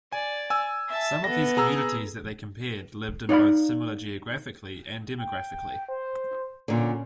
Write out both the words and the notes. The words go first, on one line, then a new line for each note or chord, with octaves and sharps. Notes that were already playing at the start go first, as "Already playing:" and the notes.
Some of these communities that they compared lived in both similar geographically and demographically.
D5 G#5
G#5 E6
E5 A5
B3 A4 A#6
G#4 A#5 E6
D#4 C#5 D5 F5 B5
G5
C5
A#2 D3 C#4